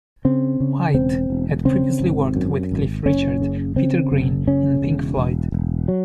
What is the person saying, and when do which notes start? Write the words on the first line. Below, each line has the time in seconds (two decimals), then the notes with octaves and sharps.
White had previously worked with Cliff Richard, Peter Green and Pink Floyd.
0.25 C#3 C4
0.60 C#3
0.94 E1 C4
1.30 E1
1.65 C#3 C4
2.00 G#1
2.36 F#2
2.72 G#1
3.06 F#1 C#4
3.42 C#3
3.76 C#3 C4
4.12 F#1
4.47 C#3 C#4
4.82 E1
5.17 E1
5.52 E1
5.88 F#3